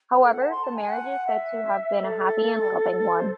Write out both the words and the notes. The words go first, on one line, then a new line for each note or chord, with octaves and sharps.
However the marriage is said to have been a happy and loving one.
C5
A4
F#5
A5
C6
A5
G#5
F#5
E5
A4
C5